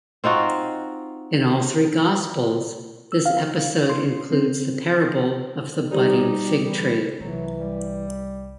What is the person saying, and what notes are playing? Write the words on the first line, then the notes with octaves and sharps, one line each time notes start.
In all three Gospels, this episode includes the parable of The Budding Fig Tree.
C4 D#4 F4 F#4
E6
F5
C6
C4
G3 D#4 G4 C5 D5
E3
C2 E3 F#3
G3